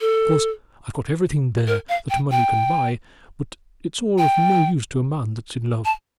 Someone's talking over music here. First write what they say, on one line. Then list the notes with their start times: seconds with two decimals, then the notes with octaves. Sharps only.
Of course I've got everything there that money can buy,--but it's all of no use to a man that's in love.
0.01 A4
1.67 A#4
1.89 F5
2.10 G5
2.31 G5
4.18 G5
5.85 A5